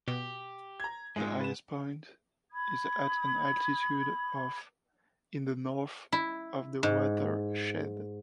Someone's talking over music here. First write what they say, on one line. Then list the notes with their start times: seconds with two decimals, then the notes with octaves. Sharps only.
The highest point is at an altitude of in the north of the watershed.
0.08 B2 G4
0.80 A#5 G#6
1.16 G#2 G#3 D#4 F4
1.40 B4 E7
2.52 B5 D#6 G#6
6.12 E4
6.83 G#2